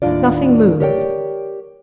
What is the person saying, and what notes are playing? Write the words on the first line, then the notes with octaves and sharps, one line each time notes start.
Nothing moved.
D#2 A2 C3 D4 F4 D5
G4 A#4 C#5 D5 E5 G5